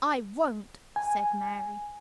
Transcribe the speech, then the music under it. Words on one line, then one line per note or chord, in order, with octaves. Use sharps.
"I won't!" said Mary.
G#5